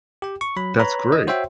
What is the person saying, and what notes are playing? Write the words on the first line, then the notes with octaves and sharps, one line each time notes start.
That's great.
G4 G5
C#6
F#3 B5
B4 C#5 A#5 B5
D#5
F#4 C5 C#5 E5 G5 C6